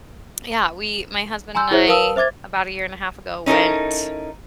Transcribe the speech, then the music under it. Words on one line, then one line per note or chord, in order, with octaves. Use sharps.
Yeah, we my husband and I, about a year and a half ago, went
G#5 A#5 C6 E6 G6
E4 G#4 C5 C#5 E5
A#4 B4 F5 A5 D#6 E6
C5 E5 D6 G#6 A6
C#4 D#4 E4 A4 A#4